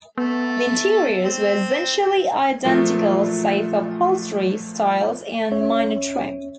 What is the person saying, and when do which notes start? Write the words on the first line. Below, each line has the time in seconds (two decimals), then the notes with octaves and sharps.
The interiors were essentially identical save for upholstery styles and minor trim.
0.18 A3 B3
1.24 C4
2.64 A#2 F3 F#3 A3 F4
5.51 D#2 C#4 C#5 E5